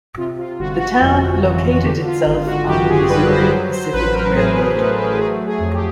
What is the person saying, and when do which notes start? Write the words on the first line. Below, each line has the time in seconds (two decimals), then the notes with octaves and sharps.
The town located itself on the Missouri Pacific Railroad.
0.17 C3 F4
0.38 F4
0.59 G1 F#4
0.80 F#4
1.01 F2
1.42 E3
1.72 F#4
1.84 D3 G4
2.05 F4
2.26 G#1
2.46 F#4
2.67 F#2 G4
2.89 G#4
3.09 G3 B4
3.30 C5
3.51 F#3
3.72 C5
3.93 A1 B4
4.14 A#4
4.34 A2 G#4
4.76 A3
5.18 F#3 G#4
5.46 G#4
5.60 F2
5.73 G4